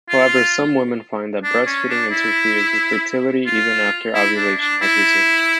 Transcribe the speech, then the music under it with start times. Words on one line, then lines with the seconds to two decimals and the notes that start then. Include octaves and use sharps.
However, some women find that breastfeeding interferes with fertility even after ovulation has resumed.
0.09 F4
1.44 D4
1.66 C#4
1.89 D4
2.11 E4
3.46 F4
4.15 E4
4.37 D4
4.60 D4
4.82 E4